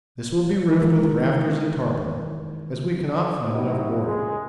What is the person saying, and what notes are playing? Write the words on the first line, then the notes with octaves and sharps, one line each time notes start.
This will be roofed with rafters and tarpaulin, as we cannot find enough boarding.
D#3 E3 G#3 A#4
C3 D#3 F#3 D#4 E4
C#2 G#3